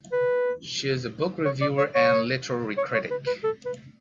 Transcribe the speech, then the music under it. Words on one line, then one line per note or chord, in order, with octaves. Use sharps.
She is a book reviewer and literary critic.
B4
C#5
D5
C#5
C#5
C#5
C#5
B4
B4
A4
B4